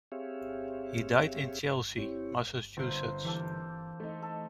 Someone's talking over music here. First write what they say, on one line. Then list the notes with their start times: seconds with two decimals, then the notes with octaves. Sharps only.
He died in Chelsea, Massachusetts.
0.12 C4 G4 G#4 C#5 E5 F5
1.98 C4 E4 G4 C#5
2.77 G1 C4 C5
3.25 E3 A#3 G4 A4
4.00 A3 D#4
4.22 A4